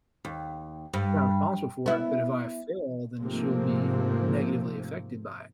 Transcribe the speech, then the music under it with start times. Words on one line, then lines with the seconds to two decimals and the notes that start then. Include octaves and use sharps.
Yeah, I'm responsible for it, but if I fail, then she'll be negatively affected by it.
0.25 D#2
0.94 G2
1.86 B3 E4
3.22 G#2 C3 F3 A3 A#3 C4